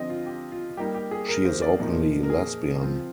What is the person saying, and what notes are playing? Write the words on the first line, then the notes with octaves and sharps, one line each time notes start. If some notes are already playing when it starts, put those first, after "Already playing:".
She is openly lesbian.
Already playing: D3 F3 C4 D#5
F4
G4
F4
G3 A#3 D#4 G4
G4
G#4
A#4
C5
D5
A#2 F3 A#3 D#4
A#4
G#4
F3 C4 F4